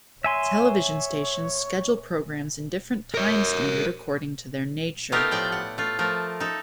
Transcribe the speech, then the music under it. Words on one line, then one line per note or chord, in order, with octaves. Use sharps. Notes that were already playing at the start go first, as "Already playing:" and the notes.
Television stations schedule programmes in different time standard according to their nature.
C#5 E5 G#5 C6
A#4 C#5
A3 B3 D#4 F4 G4 A#4
A2 F3 A3 D5 G5
F#5
A3 F4
F3 A3 A#4
D#4 A4